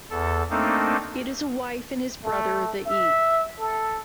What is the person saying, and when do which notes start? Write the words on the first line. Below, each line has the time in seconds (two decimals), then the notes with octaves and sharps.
It is a wife and his brother, the E.
0.10 E2 A4
0.50 A3 A#3 C4 D4 D#4 A4
2.24 A3
2.86 E5
3.59 A4